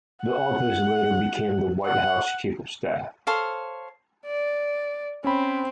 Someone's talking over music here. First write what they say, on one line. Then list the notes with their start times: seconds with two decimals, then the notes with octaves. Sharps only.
The office later became the White House Chief of Staff.
0.25 F#5
1.86 F#5
3.27 A4 C5 C#5 F5
4.26 D5
5.24 C4 C#4 B5